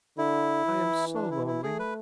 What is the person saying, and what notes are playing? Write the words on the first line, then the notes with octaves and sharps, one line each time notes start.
I am so lonely.
D3 E4
E3
D4
E4
E4
A3 G#4
B4